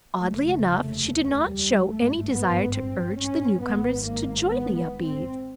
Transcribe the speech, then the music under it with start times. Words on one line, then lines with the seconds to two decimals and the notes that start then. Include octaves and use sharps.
Oddly enough, she did not show any desire to urge the newcomers to join the Upedes.
0.18 F1 D#2 C#3 A3
0.46 A3
0.75 A3
1.04 A3
1.47 G3
1.89 G#1 G2 A3
2.32 B3
2.75 C4
3.18 C#4
3.61 G#1 G#2 B3
4.04 A#3
4.47 B3
4.75 B3
5.04 C4